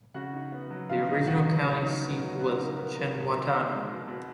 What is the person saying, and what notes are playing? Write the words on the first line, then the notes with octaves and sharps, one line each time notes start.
The original county seat was Chengwatana.
C#3 F#4 F#5
D#4
B3
F#3
C#3 F4 F5
D#4
B3 F#4 F#5
F#3
C#3 C#4 C#5
D#4
B3
F#3
C#3 B3 B4
D#4 A#4
B3 A#4
F#3 A#4
B2
B2
D#4
G#3
B2
B2